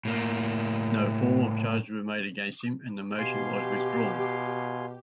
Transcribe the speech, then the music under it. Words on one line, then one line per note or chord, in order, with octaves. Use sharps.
No formal charges were made against him, and the motion was withdrawn.
A2 A#3
B2 G4 F5 G#5 C6